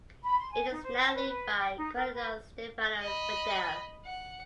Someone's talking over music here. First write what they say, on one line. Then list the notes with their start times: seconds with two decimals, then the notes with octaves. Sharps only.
It is now led by Colonel Stefano Fedele.
0.23 B5
0.39 C6
0.52 G#5
0.71 D#4
0.83 C5
1.02 A5
1.14 B4
1.28 B4
1.57 G5
1.77 D#4
1.96 A#4
2.15 B4
3.02 D#5 B5
4.06 F#5